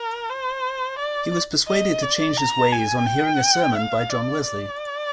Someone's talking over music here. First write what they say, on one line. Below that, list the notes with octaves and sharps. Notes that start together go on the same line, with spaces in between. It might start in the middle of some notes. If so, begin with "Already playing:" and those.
He was persuaded to change his ways on hearing a sermon by John Wesley.
Already playing: A#4
C5
D5
D#5
D5
A#5
G#5
G5
F5
D5
D5